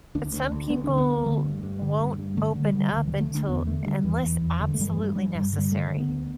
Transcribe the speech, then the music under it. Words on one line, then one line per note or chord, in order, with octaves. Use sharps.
But some people won't open up until unless absolutely necessary
D2 D4
D2
D2
D2 B3
D3 D4
B3
D2
D3 A3
G2
G2
D3
G2
G2
D3 A3
D3
G3
D3
D2 D3
E3
D3
A3
D3 D4
E2 B3
D3 A3
D3 G3
E2 E3
E2
E2
G2 D3
A3
G2 G3
E3
G2 G3
G2 G3
G3
G2
D3
G3
D3 A3
D3
B3
D2